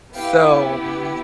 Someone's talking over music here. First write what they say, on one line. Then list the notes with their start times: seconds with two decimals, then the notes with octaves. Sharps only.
so, m
0.14 B3 E4 G4 F5 G5